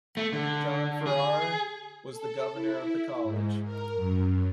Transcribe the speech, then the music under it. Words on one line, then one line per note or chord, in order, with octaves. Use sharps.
John Farrar was the governor of the college.
A3
D3
G#4
A4
E4
G#2
A#4
F#2